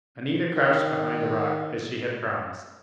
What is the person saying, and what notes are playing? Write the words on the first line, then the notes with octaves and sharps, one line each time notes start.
Anita crouched behind a rock, as she had promised.
D#3